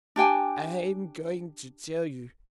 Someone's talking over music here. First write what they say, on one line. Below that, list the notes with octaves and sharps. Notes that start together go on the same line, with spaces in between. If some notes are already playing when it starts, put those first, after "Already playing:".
I am going to tell you.
D4 G4 G5 G#5